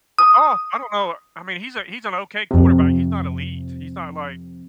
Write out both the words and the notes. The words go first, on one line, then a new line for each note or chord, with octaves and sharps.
Well, Goff I don't know. I mean, he's a he's an okay quarterback. He's not elite. He's not like,
D#6
F2 C3